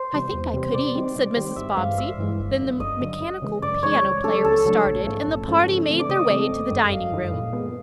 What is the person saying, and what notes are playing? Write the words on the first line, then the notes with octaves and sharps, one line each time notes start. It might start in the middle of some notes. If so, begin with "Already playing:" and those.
"I think I could eat," said Mrs. Bobbsey, then the mechanical piano player was started, and the party made their way to the dining room.
Already playing: C5
C3 E3 G3
E2
C3 E3 G3
C3 D5
D#3 G3 C4
C3
D#3 G3 C4
G#1 E5
G2 E3 G#3 F5
G#1 E5
G2 E3 G#3
G1
F#2 D3
G1 D#5
F#2 D3
F#2
C#3 E3 G#3
F#2 D5
C#3 E3 G#3 C#5
C#2
C#3 F#3 A3 D4 A4
C#2 A4
C#3 F#3 A3 D4
A#1
G#2 F3 A3 C#4
A#1
G#2 F3 A3 C#4
C#3
E3 A3 C4
D5
C#3 D#5
E3 A3 C4
G1
F#2 D#3 G3
G1 F5
F#2 D#3 G3
A#2
F3 G#3 B3